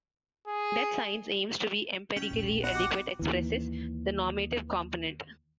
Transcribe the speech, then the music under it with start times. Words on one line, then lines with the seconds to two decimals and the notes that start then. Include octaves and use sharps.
That science aims to be empirically adequate expresses the normative component.
0.48 G#4
2.16 C#4 G5
2.30 D#1 A#1
2.64 B3 D#4 F#4 D#5 F#5
2.75 G4
3.19 D#2 E3